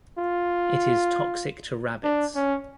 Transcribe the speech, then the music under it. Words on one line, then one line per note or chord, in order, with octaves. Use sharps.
It is toxic to rabbits.
F4
D4
C#4